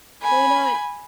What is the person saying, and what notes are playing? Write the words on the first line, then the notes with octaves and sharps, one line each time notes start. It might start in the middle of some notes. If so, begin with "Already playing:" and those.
Well, you know what?
G#5 B5